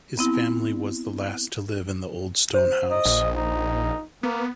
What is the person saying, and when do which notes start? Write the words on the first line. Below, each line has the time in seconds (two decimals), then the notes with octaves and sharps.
His family was the last to live in the Old Stone House.
0.18 B3 C4 E4
2.54 C5
2.91 D#5
3.05 A#1
3.36 D#4
4.23 A#3 B3